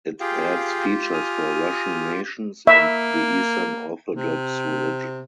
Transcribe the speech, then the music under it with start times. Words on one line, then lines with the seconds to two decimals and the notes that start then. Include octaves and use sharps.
It adds features for Russian nations and the Eastern Orthodox religion.
0.20 F4 G4 G#4 F5 G5
1.14 G#5 D#6 F6
2.67 A#3 E5
4.15 C3